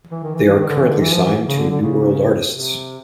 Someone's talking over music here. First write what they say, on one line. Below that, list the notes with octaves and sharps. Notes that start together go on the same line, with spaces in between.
They are currently signed to New World Artists.
E3
D#3
E3
E3
D#3
D3
E3
D3
E3
F3
E3
C#3
D3
D3
C#3
C3